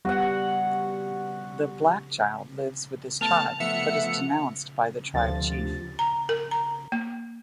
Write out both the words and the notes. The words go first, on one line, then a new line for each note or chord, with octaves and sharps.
The "black child" lives with his tribe, but is denounced by the tribe chief.
G3 B3 F#4 F#5
A3 B3 A5 F6 F7
F3 A3 B3 E5 F#5 C#7
D2 C3 F3 A6
A#5
A#4
A#5
A#3